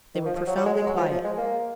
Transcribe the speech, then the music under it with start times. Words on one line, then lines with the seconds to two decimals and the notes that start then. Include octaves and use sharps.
They were profoundly quiet.
0.15 D#3
0.26 F3
0.36 F3
0.47 F#3
0.57 F#3
0.66 G#3
0.77 G#3
0.87 F#3
0.98 F3
1.11 F3
1.24 G#3
1.37 A#3